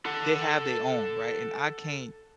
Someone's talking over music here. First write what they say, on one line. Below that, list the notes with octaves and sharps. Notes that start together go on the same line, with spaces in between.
they have their own, right? And I can't
A4 F#5